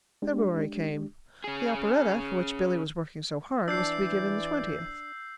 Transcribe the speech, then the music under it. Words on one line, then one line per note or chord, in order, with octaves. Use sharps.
February came The operetta, for which Billy was working so hard, was to be given the twentieth.
G#3 D4 G4
C#4 G#4
E3 D4 D5 E6 G6 C7